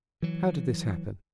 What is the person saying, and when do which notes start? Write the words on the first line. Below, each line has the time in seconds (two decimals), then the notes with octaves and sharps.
How did this happen?
0.22 E3 F#3